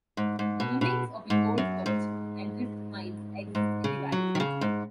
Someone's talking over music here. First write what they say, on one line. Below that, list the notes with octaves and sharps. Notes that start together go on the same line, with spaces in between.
The remains of an old forge and drift mines exist in the valley.
G#2
G#2
B2
B2
G#2
F#2
G#2
G#2
C#3
F#3
D#3
C#3
G#2